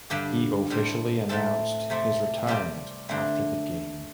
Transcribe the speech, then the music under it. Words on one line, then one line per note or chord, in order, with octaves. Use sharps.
He officially announced his retirement after the game.
G2 D3 G3 G4 G5
A2 G3 C4
A2 A3 C4 A4 A5
C3 A3 C4
C3 G3 C4 G4 G5
D3 A3 C4